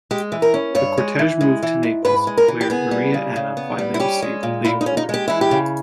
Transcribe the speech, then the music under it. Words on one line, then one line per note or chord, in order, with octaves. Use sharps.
The cortege moved to Naples, where Maria Anna finally received the award.
G#3 G4
E3
A#4
C#4
G2 C#5
G#3
E3
G#3
E3
G#2
G#2 B4
G#3
A#4
E3
G4
B3 G#4
G3
C#3
C#3
B3
G3
E4
C#4 G4
G#3
A#2
A#2 E4
D#4
C#4
D#4
G#3 G4
E3 E4
G4
C#3